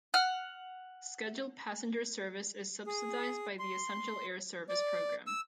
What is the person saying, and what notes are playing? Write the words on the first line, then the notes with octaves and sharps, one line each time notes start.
Scheduled passenger service is subsidized by the Essential Air Service program.
F#5 F6
G#4
C6
D5
E6